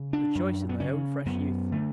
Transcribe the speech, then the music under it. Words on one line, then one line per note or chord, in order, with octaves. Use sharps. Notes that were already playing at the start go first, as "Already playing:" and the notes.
"Rejoice in thy own fresh youth!"
Already playing: C#3
D4
F#2
B3
C#3 C#4
F#2 B3
D3 A3